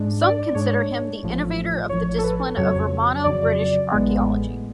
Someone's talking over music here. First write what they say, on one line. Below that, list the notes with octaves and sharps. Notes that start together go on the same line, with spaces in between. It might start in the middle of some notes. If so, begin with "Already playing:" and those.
Some consider him the innovator of the discipline of Romano-British archaeology.
Already playing: G#2 G#3 D4
D5
G#2 G#3 D4 C#5
A1 A2 F3
A1 A2 F3 C#5
A4
B4
F2 C#3 F#3 C#5
F2 C#3 F#3 D5
A1 A2 G#3 B3